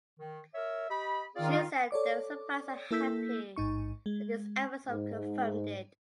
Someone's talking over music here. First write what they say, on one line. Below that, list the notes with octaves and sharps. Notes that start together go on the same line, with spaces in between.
She said they were surprised and happy that this episode confirmed it.
D#3
A#4 C#5 E5
G4 D#5 B5
D#3 C4 F4 G#4 D5
A4 C#5 D5 D6
A#3 E4 A4 E6 G6 B6
A1 G#2 D#4 C#6
G#3
G#2